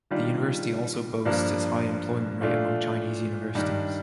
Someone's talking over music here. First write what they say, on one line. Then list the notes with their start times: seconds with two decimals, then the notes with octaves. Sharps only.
The university also boasts its high employment rate among Chinese universities.
0.11 D#3 G3 D4 F4
1.25 G2 F3 A#3 D4
2.41 A#2 A3 D4 F4
3.55 G2 D#3 G3 D4